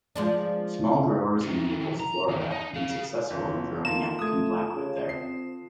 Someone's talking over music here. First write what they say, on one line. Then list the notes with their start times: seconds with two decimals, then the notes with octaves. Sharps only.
Small growers in Naples, Florida have been successful in growing African blackwood there.
0.16 F3 G#3 D4
1.41 D#3 E3
2.00 A#5
2.28 D#2 E3
2.51 D#4
2.74 G#4 F5
3.30 F#1 E3 C#4 F4
3.85 D3 D#3 A#3 F4 A5 E7
4.19 A3 D#6 G#6
4.74 C#3
5.09 C4 C7